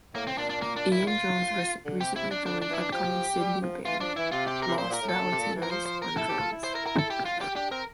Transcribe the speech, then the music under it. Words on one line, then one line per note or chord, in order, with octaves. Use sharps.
Ian Jones recently joined upcoming Sydney band, Lost Valentinos on drums.
A2 A#3
C4
A#2 D4
D4
A#3
D4
E4
F4
D3
C3 G4
E4
D4
D3 D4
D4
E3 E4
D4
F3 G4
G3
F3
E3 F4
F3 D4
E3 E4
C3 F4
G4
C3 A#4
A#2 C5
A#2
A#4
A2
A#2 A4
D3
C3
A#2
E3
A#4
F3 C5
C5
A#4
E4 A4
G4
F4
E4
C5
A#4
A#4
A4
G4
F4
G4
D4 G4
C4 A#4